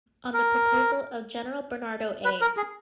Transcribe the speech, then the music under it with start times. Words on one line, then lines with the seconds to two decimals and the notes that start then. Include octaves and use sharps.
On the proposal of General Bernardo A.
0.34 A#4
2.25 B4
2.41 A#4
2.57 G#4